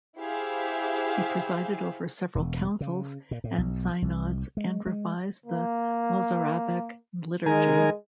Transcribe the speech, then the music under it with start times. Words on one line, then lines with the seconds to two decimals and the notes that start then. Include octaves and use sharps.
He presided over several councils and synods and revised the Mozarabic liturgy.
0.18 E4 G4 G#4 C5 E5 F5
2.35 E1
2.81 C#3
3.31 A#2
3.44 A2
3.58 B1
4.02 C2
4.57 G#3
4.86 G#3
5.46 A#3
7.46 D#3 G#3 A#4 G#5